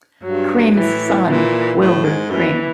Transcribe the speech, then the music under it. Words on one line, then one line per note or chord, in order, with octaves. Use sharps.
Cream's son, Wilbur Cream.
G2 F#3
A2 E3
A#2 E3
A2
G#2
F#2 E3